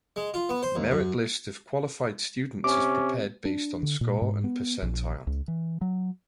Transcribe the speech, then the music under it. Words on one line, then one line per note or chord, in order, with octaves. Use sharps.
Merit list of qualified students is prepared based on score and percentile.
G#3
F4
B3
C5
D#2
F#2
C3 C#4 D6
D4
D3
A#2
G#2
B3
A#1
C#2
E3
F#3